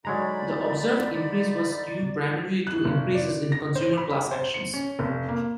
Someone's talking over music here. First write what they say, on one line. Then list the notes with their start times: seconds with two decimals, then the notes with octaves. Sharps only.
The observed increase was due primarily to increases in consumer class actions.
0.05 D3 F#3 G#3 D#4 D5 A#5 B5
2.67 F#6
2.85 F1
3.15 D5
3.52 A#6
3.75 C5
3.97 B5
4.10 B5
4.31 C5
4.54 C#7
4.73 C#4
4.99 F1
5.29 A#3